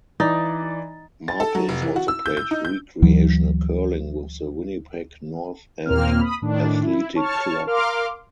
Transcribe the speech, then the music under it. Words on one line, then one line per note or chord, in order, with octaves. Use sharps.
Marples also played recreational curling with the Winnipeg North End Athletic Club.
E3 D#4 D5 A6
A6
A4
F#3
F1
E3
F#4
E6
G6
G6
D#4
G6
D2 E3 F#3
D#2 A#2 A#3 C4 F6
B5 D#6
A2 D#3 D4
E4
C#5 A5 C#6 F6
A#4 F5 C6 D6 F6